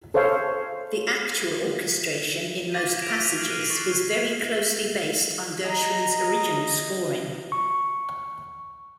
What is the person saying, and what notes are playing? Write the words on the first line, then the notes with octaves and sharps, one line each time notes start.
The actual orchestration in most passages is very closely based on Gershwin's original scoring.
A4 C5 C#5 F5
D6 G#6 A#6 B6 D#7
A#6 B6 D7 E7 F7
F6 C7 F#7
F6 F#6 D#7 E7
C#6 A6 C7
D#5 A#5
C#6